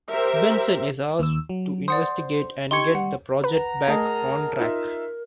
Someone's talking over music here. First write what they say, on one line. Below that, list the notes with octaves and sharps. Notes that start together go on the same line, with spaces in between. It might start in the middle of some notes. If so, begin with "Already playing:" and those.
Benson is asked to investigate and get the project back on track.
G4 A#4 C5 E5
D#2 E6
F#3
C5 D5 F#5 D#6
D#4 G4 C6 C#6 G#6 C#7
G3 F#5
B4 F#5 A#5
A3 G#4 A#4 D#5 A5
D#4 F4 E5